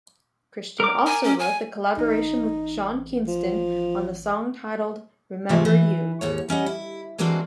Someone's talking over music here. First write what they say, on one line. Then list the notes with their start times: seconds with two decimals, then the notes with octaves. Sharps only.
Cristian also wrote the collaboration with Sean Kingston on the song titled "Remember You".
0.80 A#4 D6
1.06 G#5
1.24 C#4
1.39 G#5
1.97 A1 D#4
3.27 F3
5.49 G#2 C3 E3 F3 G#3 A3
5.65 E3
6.21 D#2 G#2 C#5
6.49 G3 C#4 D#5 F#5
6.66 E4
7.18 E3 G#3 A#3 C4 D4 F#4